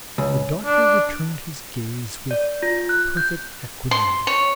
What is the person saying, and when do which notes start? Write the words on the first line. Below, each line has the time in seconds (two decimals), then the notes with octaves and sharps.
The doctor returned his gaze with perfect equanimity.
0.18 C#2
0.66 D4
2.31 D5
2.63 F4
2.89 F#6
3.17 G6
3.91 C6
4.27 C#5